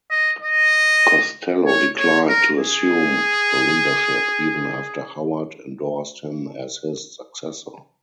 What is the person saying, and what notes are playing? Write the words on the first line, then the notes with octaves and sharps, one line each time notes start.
Costello declined to assume the leadership, even after Howard endorsed him as his successor.
D#5
D#5
C#5
C#5
A#4
G#4